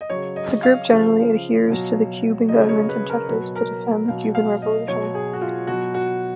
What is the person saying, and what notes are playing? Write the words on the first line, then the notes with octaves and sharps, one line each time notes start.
The group generally adheres to the Cuban government's objectives "to defend the Cuban Revolution".
D#5
C#3 F#3 C#5
D#5
F5
C#3 F3
B2 F#3
C#3 F#3 D#5
C#5
B4
A#4
B2 F#3 B4
A#4
B2 F#3 F5
F5
D#5
B2 F#3 C#5
G#4
F#4
F4
B2 F#3 F#4
F#4